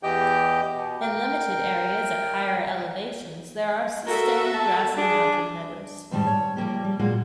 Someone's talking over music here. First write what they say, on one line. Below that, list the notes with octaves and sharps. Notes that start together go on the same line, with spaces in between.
In limited areas at higher elevations there are sustained grassy mountain meadows.
E2 E3 G4 D#5 G5 G6
B2
A#4 G5
F#4 A4 A#4 E5
A5
D4 G#4
F2 G#2 D#3 G3 A5
C#5
F3 G3 A#3 G4
G3
A#2 F#3 G#3 A#3 F4 F#4